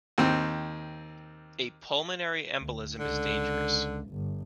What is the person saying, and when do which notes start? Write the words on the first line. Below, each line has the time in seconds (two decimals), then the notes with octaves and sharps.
A Pulmonary Embolism is dangerous.
0.18 D#2 C4 G5
2.60 D2
2.98 C#2 D3
4.09 G1